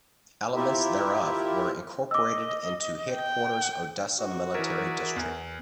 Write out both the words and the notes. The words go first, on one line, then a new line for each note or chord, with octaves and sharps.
Elements thereof were incorporated into Headquarters Odessa Military District.
E4 F4 G4 A#4 E5
D#5 D6 E6
G5
F#4
E3 G#4 A#4 D5 E5
E2